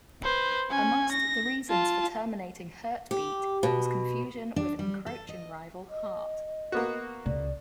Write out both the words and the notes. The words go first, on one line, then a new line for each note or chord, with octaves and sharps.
Amongst the reasons for terminating HertBeat was confusion with encroaching rival Heart.
B4 C5
C#4 G#5
A#6
F4 A5
G4
B2
D4
G3
A4
D#5
D#5
A#3 B3 F#4
C#2 D5